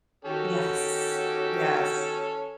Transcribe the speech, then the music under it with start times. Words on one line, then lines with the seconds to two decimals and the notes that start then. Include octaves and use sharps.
Yes. Yes.
0.25 D#3 C#4 F#4 G4 A4